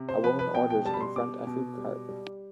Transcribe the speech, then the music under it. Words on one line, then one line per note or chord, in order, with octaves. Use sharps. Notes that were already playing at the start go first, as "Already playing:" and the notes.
A woman orders in front a food cart.
Already playing: C3
C5
F3 B4
B4
B2 G5
G5
G3 A5
B5
C6
B2 D6
B2
G3
G3